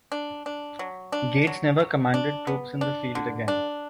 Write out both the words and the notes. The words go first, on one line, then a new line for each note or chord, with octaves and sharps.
Gates never commanded troops in the field again.
D4
D4
F#3
D4
F#3
F#3
D4
B3
D4
D3
D4